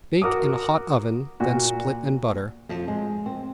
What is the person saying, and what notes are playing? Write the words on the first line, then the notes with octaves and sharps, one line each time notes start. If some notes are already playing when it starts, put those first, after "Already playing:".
Bake in a hot oven, then split and butter.
F#4 A#4 D6 D#6
A#2 F#4
F2
G#3
C4